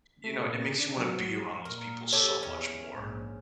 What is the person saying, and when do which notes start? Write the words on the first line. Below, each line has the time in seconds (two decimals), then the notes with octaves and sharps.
you know, it makes you wanna be around those people so much more.
0.24 A3
0.46 A#2
0.79 D4
0.97 F#3
1.65 A#2 A#4
2.13 G4 A4 C#5
2.43 E2 C#4
2.89 A#1 G#2